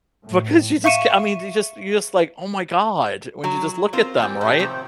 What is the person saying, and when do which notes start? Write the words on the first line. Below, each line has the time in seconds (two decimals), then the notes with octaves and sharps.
Because you just c I mean, you just you're just like, "Oh my god", when you just look at them, right?
0.24 A2
0.84 E5 F5 C#6 C#7 D#7 E7
3.44 F#3
3.93 C4 F4 A#4 C5
4.18 E3 G3 C4
4.41 A2 C#4 G4
4.59 C3 D#3 F3 C4